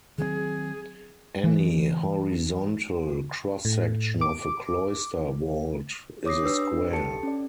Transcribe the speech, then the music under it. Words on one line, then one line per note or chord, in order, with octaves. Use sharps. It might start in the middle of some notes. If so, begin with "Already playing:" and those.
Any horizontal cross-section of a cloister vault is a square.
D#3 F#3 C4 G#4
E3
A2
D6
C#5 D6 D#6 A#6 C7
D4 G4 B4 E6 C7
G4 A4 A5 C#7
C#4 D5